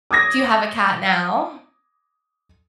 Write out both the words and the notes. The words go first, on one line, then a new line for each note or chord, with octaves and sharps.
do you have a cat now?
D6 D#6 G#6 A#6